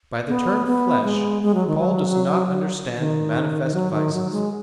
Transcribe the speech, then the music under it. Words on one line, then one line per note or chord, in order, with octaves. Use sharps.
By the term "flesh" Paul does not understand manifest vices.
B3
B3
G#3
G#3
F#3
D#3
F#3
D#3
D#3
F#3
D#3
F#3
G#3